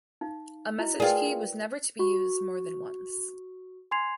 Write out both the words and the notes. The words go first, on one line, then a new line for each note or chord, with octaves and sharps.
A message key was never to be used more than once.
D#4 F5
E4 F#4 D#5
F4 G#4 A#4 B4 D5 G5
F#4 C#6
G#5 C6 G#6 C7 F7